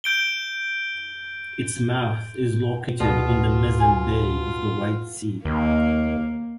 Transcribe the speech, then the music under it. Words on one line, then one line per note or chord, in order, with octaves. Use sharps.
Its mouth is located in the Mezen Bay of the White Sea.
G6 D7 G7
D2 B2 F4
G#5
D#2 A#3